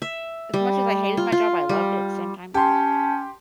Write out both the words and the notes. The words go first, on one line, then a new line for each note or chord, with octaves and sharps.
as much as I hated my job, I loved it same time, now.
E5
G3
F4
F4
G3
C#4 G4 A5 C6